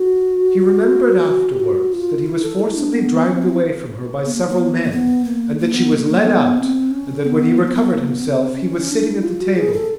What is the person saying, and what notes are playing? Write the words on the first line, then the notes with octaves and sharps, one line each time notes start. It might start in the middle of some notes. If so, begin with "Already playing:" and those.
He remembered afterwards that he was forcibly dragged away from her by several men, and that she was led out, and that when he recovered himself he was sitting at the table.
Already playing: F#4
G4
F#4
F4
E4
A4
E4
D4
B3
C#4
C4
B3
C4
B3
A#3
A#3
B3
A#3
B3
A#3
A#3
B3
A#3
A#3
B3
C4
C#4
B3
A#3
C4
B3
A#3
B3
B3
C4
C#4
D4
E4
F4
F#4
G#4
A4